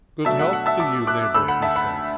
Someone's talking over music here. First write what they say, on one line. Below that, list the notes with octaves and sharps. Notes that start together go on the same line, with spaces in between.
"Good health to you, neighbour," he said.
B2 F#3 A3 D4 E5 A5
F#5
F#5
E5 A5
A5 D6
D6 F#6
D2 D3 A3 B5 E6
F#5 B5
E5 A5
F#5 B5